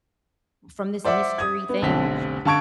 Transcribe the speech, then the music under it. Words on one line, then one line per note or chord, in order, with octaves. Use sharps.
from this mystery thing."
C5 D5 E5 F#5 D6
D#6 G#6
B3
F1 B1 D3 C4 B6
D3 F5 A5 C#6 G#6 D7